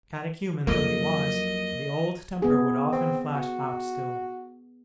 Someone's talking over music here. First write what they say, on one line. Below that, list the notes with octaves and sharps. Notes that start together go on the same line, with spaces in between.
Catechumen though he was, the old temper would often flash out still.
F2 F#3 A#3 D#5
B3 G#4
C4
F#4